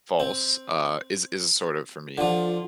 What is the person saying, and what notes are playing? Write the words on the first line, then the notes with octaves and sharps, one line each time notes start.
false, uh, is is sort of, for me,
C4
D3 F3 F4